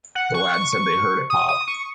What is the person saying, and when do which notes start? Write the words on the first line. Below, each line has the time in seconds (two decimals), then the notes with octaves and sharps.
The lads said they heard it pop.
0.15 F#5
0.34 C#6
0.53 C#6
0.72 C#6
1.30 D#6
1.49 D#6
1.68 C#6